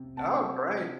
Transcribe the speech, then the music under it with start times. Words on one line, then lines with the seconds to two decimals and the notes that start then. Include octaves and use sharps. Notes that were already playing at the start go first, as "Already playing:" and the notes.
Oh, great.
Already playing: C3
0.17 C4 F#5 A5